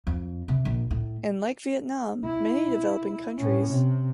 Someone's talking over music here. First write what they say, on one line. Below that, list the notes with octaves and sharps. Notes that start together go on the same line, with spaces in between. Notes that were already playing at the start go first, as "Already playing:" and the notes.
And like Vietnam, many developing countries.
F2
C3
A#1
A2
E4
A2 C#4
C3